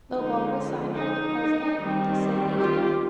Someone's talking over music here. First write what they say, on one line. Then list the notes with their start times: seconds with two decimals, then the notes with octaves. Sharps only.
The law was signed by the President the same evening.
0.12 D3 F3 G#3 C#4 D#4
0.95 D#4
1.77 D#3 G3 C4
2.58 F4 G4